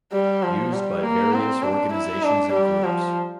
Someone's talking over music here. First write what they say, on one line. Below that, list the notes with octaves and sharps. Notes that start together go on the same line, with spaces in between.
Used by various organizations and groups.
G3
F3
G3
A#3
C4
D4
E4
D4
G3
F3